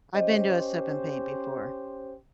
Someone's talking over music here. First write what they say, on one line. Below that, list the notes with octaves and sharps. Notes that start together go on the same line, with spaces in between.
I've been to a sip and paint before.
C#4 G4 C5 D#5